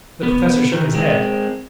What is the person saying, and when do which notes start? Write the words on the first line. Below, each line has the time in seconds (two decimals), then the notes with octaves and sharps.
The Professor shook his head.
0.23 B3
0.72 D#3 E3
0.94 G#3 C4